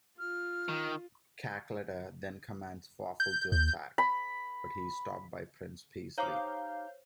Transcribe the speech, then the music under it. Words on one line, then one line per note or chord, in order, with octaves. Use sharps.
Cackletta then commands Fawful to attack, but he is stopped by Prince Peasley.
F4 F6
D#3
G6
D#2 G6
B5
D#4 G4 C5 C#5 F5 D6 G6